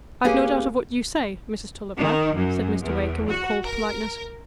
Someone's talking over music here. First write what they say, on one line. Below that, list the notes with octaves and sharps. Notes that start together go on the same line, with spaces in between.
"I've no doubt of what you say, Mrs. Tulliver," said Mr. Wakem, with cold politeness.
A#3 C#4 G4 G#4 A#4 B4
D#3
F#2
E2
F#4
A#4